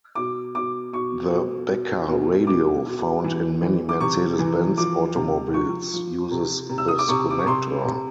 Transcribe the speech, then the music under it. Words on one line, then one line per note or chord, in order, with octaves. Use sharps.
The Becker radio found in many Mercedes-Benz automobiles uses this connector.
B2 D6
B2 D6
B2 C#6
B2
B2
B2
B2 D6
B2
E3
E3
D6
C3 C#6
E3
F3 D6
C3
F3 C#6
F3
C3
C3
E6
D#6
D6
C3 C#6
D6
C#6
C3 C6
C3